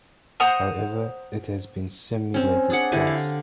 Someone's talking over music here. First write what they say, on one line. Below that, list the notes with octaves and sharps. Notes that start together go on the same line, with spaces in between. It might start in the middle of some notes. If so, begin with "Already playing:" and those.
However, it has been simulated twice.
C5 F#5 A#5 D#6
C4 C#4
D4 G#4 F#5
D3 E4 G4 G#5
F5